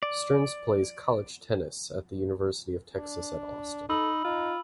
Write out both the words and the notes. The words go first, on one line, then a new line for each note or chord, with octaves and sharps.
Stearns plays college tennis at the University of Texas at Austin.
D5
D4
D#4 A4 B5 E6 F#7
D#4 F4